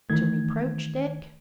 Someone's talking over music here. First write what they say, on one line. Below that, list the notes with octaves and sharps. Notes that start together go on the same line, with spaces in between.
To reproach Dick?
D#3 E3 A3 G#6